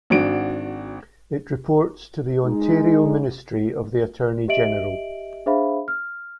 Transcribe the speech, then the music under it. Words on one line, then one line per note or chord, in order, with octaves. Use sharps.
It reports to the Ontario Ministry of the Attorney General.
G#1 D4 F#4 D7
G#3 D#4
G4 D#5 E5 D7 F#7
D4 G#4 C5 E5 F5 B5
F6